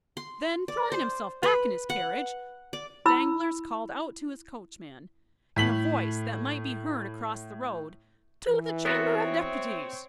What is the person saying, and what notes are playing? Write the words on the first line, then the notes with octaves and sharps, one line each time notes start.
Then, throwing himself back in his carriage, Danglars called out to his coachman, in a voice that might be heard across the road, "To the Chamber of Deputies."
C6
D5
C5
B4
F#5
D5
E4 B5 E6
A2 B6 F#7
E3
B3 C4 F#4 A4 C#5 E5